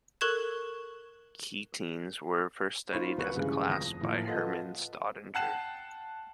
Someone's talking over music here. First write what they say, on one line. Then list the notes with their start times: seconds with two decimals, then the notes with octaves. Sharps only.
Ketenes were first studied as a class by Hermann Staudinger.
0.21 A4 A#4 C#6 F#6 G#6 E7
2.93 D#4 F4 C5 B5 C#6
3.17 C2 F#3 B4 C#6 F#6
3.37 G2 C#3 E3 G#3
3.68 F1 F3 D#6 A#6
4.01 A2 F3 A#3
4.27 F4 A4 B4 D#5 F#5
5.35 F#5 G5 A5 F#6 C7 E7